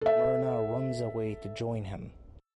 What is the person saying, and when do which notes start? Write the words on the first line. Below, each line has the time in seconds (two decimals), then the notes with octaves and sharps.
Merna runs away to join him.
0.01 A4 E5